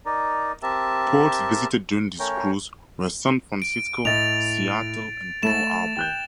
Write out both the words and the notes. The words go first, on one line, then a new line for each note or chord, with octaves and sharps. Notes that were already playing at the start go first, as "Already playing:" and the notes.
Ports visited during this cruise were San Francisco, Seattle, and Pearl Harbor.
D#4 A#4 D5
C4 G4 A#4 E5 A5
A3 C#4 A#4 C#5 G5
D7
A2 E4 D#5 A6 F7
A3 A6 E7
G5 F#6 G6